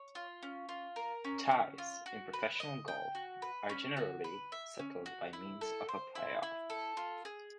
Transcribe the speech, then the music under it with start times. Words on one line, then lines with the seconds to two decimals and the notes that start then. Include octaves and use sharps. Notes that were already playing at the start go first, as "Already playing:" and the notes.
Ties in professional golf are generally settled by means of a playoff.
Already playing: C#5
0.15 F4
0.43 C#4
0.69 F4
0.96 A#4
1.24 C#4
1.51 C#4
1.78 F4
2.06 F#4
2.33 B4
2.60 D#5
2.88 G5
3.15 F#4
3.42 B4
3.69 C#4
3.97 F#4
4.24 B4
4.52 E5
4.79 C#4
5.06 F#4
5.33 E4
5.61 A4
5.88 C5
6.15 E4
6.43 E4
6.70 A4
6.97 F4
7.25 G#4